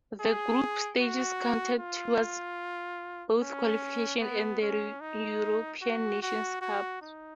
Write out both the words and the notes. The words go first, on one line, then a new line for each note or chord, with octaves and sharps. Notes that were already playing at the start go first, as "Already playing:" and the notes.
The group stages counted towards both qualification and the European Nations Cup.
G#4
F#4
F4
C#4
B3
C#4
D#4
F#4
F#4
F#4
D#4